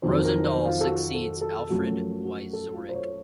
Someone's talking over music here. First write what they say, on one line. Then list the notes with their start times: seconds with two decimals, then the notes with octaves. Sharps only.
Rosendahl succeeds Alfried Wieczorek.
0.02 F2 D#3 F#3 C5
0.23 A#4
0.44 C5
0.65 F4
0.81 A4
0.86 F#4
1.14 A4
1.41 A4
1.69 F#2 F3 A3 F#4
2.25 F#4
2.53 A4
2.74 F4
2.89 C5
2.94 C#5